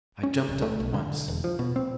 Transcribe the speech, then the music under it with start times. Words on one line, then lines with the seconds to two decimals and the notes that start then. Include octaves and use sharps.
I jumped! up at once.
0.23 C#4
0.49 D1
0.62 A3
0.80 B1
0.94 D3
1.28 E1
1.44 F3
1.59 B2
1.76 C4